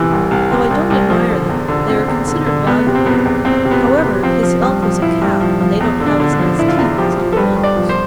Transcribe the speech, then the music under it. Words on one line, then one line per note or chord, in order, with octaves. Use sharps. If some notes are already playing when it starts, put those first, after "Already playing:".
Though I don't admire them, they are considered valuable; however, his elk was a cow, and they don't have as nice teeth as do bulls.
Already playing: C3 E3
C2
C2
C3
C2
C2
F3
D3
E2
D3
D3 C4
E2
D3
D3
E2 B3
C3
C4
E2 B3
E2
E2 C4
C3
B3
E2
B3
C3
F3 C4
F3
G2
F3
F3 E4
G2
F3
F3
E2
D3
D4
D3
D4
F3
D3 E4
F4
E2 E4
F3 G4
F3
A4
G2 B4
G2
D5
F3
C5